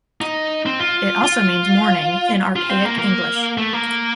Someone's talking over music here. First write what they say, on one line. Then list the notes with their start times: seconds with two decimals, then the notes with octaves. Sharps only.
It also means "morning" in archaic English.
0.21 D#4
0.66 C4
0.80 F4
1.24 F4
2.56 F4
2.70 C4
2.85 A#3
2.99 A#3
3.58 A3
3.73 A#3